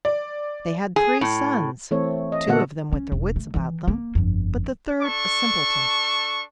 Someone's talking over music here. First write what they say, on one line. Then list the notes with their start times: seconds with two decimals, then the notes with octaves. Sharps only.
They had three sons, two of them with their wits about them, but the third a simpleton.
0.05 D5
0.96 G#4
1.21 A2
1.91 E3 A3 C4 A4 C#5
2.32 D#5
2.47 A#2 D3 B3 F#4 A4 F#5
2.93 C#4
3.12 E1
3.36 A3
3.54 D#3 E3
3.88 A#3
4.15 G1 F2
5.02 D4 A4 C#6